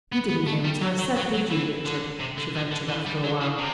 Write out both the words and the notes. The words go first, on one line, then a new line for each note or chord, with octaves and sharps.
"You didn't hear what I said, did you, Richard?" she ventured after a while.
B3
B3
A3
G3
F#3
F#3
F#3
F#3
E3
D3
C3
D3
D3
D3
E3
G3
F#3
E3
C3